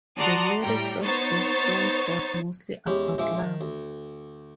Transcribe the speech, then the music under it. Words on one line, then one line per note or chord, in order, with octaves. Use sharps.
The lyrics of these songs was mostly about love.
F#4 D5 A5 A#5 C6 D#6
A2 G3 G5 A#5
B3 D#4 C5 C#5 A6
E2 G#3 C#4 G4 B5
A#1 F3 G#3 E5 D6
D#3
D2